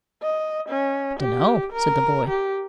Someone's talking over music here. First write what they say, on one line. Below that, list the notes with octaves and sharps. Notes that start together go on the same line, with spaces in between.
"Dunno," said the boy.
D#5
C#4
G4
A#4
G4